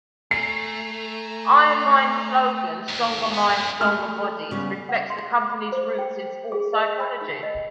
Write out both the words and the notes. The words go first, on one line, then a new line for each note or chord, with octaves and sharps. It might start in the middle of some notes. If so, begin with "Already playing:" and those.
IronMind's slogan, "Stronger Minds, Stronger Bodies," reflects the company's roots in sports psychology.
A3 G#5 A#5 C7
D#2
B3
F#2
A3 G4 A4 F6
C#3 G3 B3
F#5
C6
B5
C5
G5
G#4
D#5
B5
D#4
D#5